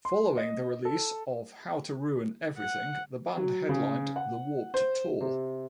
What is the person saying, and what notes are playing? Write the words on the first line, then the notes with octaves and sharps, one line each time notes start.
Following the release of How to Ruin Everything, the band headlined The Warped Tour.
C6
D#5
A4
F#5
F#3
C#3
F#5
C5
C3